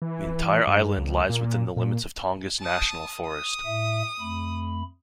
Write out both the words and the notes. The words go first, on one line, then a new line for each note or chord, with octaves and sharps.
The entire island lies within the limits of Tongass National Forest.
E3
G2
C#2
A#2
A#2
A5 D#6
D#6
A2 E5
F2 A3 B5